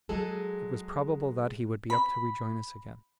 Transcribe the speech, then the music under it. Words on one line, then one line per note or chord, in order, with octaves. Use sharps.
It was probable that he would be up to rejoin us again.
F#3 G#3 G#4 A4
B5